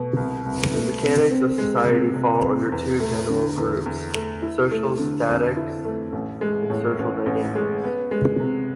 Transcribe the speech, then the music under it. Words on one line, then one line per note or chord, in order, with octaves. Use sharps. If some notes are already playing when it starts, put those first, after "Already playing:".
The mechanics of society fall under two general groups: social statics and social dynamics.
Already playing: B2 A3
C2
C2
A3
C3
C4
G#3
C3
C3
C4
E2
A3
D3
E2
E2
A3
E4
A3
D3
F2
E4
A3
A1
G#3
A2
A1
A1
G#3
B3
G#3
C3